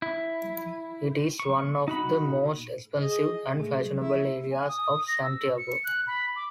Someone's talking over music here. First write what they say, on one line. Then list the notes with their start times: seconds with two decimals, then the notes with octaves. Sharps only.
It is one of the most expensive and fashionable areas of Santiago.
0.02 E4
1.40 C#6
1.88 D#4 F#4 B5
2.98 G#4 D#5
3.53 G#3 A3
4.02 E4 E5
4.51 G#5
4.68 D#6
5.08 A#6
5.23 E6
5.58 C#7
5.84 F#6
6.07 B5
6.36 D6